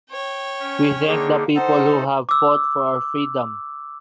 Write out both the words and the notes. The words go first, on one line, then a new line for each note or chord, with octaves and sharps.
We thank the people who have fought for our freedom.
C#5 G5
C#4
D3 A#3 D#4 G#4
D#4 A4 C5 F#5
D6 E6